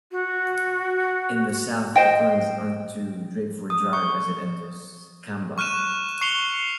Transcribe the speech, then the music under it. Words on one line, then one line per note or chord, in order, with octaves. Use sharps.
In the south, it runs onto Drakeford Drive as it enters Kambah.
F#4
C5 D#5 G5
D#6
C#6
C#6 F6 F#6 D#7 E7
C#6 C7 C#7 F7 G7